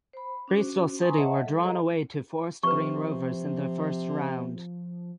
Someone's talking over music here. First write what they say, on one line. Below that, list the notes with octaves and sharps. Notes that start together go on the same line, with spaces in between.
Bristol City were drawn away to Forest Green Rovers in the first round.
C5 B5
C#4 D4 F#4 C5
B4 G#5 A#5 C6 C#6 D#6
C5 C#5 D#5 E5 F#5 A5
G3 A4
G#4 A4 C5 D#5 F5 A#5
C3 F3 B4 C#6